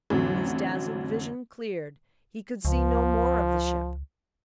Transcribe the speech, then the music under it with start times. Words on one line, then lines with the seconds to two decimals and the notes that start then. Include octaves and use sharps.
When his dazzled vision cleared, he could see no more of the ship.
0.10 A1 F2 D3 F#3
2.65 C#2 F3